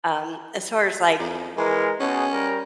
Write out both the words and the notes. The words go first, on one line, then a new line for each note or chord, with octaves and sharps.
Um, as far as, like
F2
E3 G#3 A#4
B2 C#4 G#4
G3 A#4